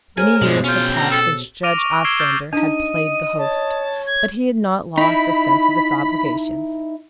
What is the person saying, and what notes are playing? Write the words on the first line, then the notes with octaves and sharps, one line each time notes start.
Many years had passed since Judge Ostrander had played the host; but he had not lost a sense of its obligations.
G#4 A#4 C5 C#5 G#5
G2 B2 G#3
C#4 F4 G5
A#5
A4
D6 F6 A#6 D7 D#7 F7
C#6
D7
E6 G#6 C7 D7 E7 G7
D6 E6 F6 G6 A6
D4 D#4 D#5 D#7
C#5 A5
G#6
D#4 E4 B5